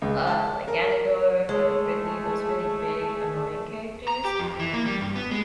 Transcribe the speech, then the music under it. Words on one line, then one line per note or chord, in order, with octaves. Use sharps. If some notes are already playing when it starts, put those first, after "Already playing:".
uh, like Ganendorf or, like, Ridley, those really big annoying characters,
C#2
A5
A#4
G#3 A3 G#4 C#5
A#5
G4
F2
E3
A#3
G3
G2
B3
G#3